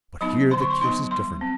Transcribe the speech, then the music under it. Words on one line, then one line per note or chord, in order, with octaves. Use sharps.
But here the case is different.
F#3 B3 D#4 B5
D3 C6
C#6
C6
F#3 B3 D#4 C6
G3 C6
C4